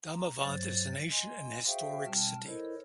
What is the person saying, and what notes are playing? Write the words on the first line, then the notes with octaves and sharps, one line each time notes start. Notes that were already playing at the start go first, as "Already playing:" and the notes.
Damavand is an ancient and historic city.
A#5
G2 F#3 C5 C#5 A6
D#5 G#5 C6
F#4 G#4 C5 E5 F5 G5
B2 G3 C4 G5 A5 F6
E4 A4 A#4 C5 C#5 D#5